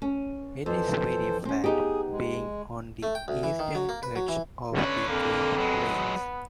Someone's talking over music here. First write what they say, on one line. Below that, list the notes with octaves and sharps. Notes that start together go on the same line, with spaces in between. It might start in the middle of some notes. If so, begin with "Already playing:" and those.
It is very flat, being on the eastern edge of the Great Plains.
C#4
F2 E3 A4 C5
C4 C#4
B3 D#4 G4 G#4
G#3
A3
G5
D2
E3
D#3
F#3
A#3
B4
F#3
E3
D3 C#4 B4 C#5
F2 A#3
F#3 G#3 B3